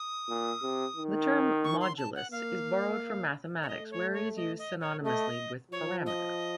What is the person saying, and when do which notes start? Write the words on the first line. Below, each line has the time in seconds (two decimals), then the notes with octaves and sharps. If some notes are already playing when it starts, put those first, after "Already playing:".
The term "modulus" is borrowed from mathematics, where it is used synonymously with "parameter".
Already playing: D#6
0.29 A#2
0.62 C3
0.97 D#3
1.64 C#6
1.81 C6
1.98 A5
2.16 F#5
2.32 A#3 F5
3.63 C#5
3.68 A3 D#5
3.91 C#5
4.13 C#5
4.36 D#5
4.58 D#5
4.81 C#5
5.03 A3 D#5
5.71 F3 C#5
6.06 D#5